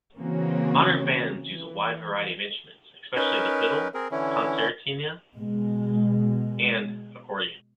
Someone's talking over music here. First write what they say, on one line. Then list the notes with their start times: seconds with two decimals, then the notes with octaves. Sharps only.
Modern bands use a wide variety of instruments, especially the fiddle, concertina, and accordion.
0.18 C#3 E3 A#3 C4 C#4 F#4
1.47 E3
3.16 C#4 D#4 A#4 B4
3.94 C4 G#4 A#4
4.11 D3 E3 C#4 E4
5.36 B2 G#3